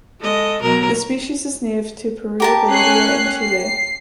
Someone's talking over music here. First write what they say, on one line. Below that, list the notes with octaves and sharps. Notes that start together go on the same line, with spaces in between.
The species is native to Peru, Bolivia and Chile.
G#3 A4 D#5
B2 F#3 A#4
G4 A#4 A5
C#4 F#6 C7
C7